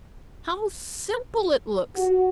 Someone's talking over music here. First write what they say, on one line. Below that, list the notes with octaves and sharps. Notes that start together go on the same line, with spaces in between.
How simple it looks!
F#4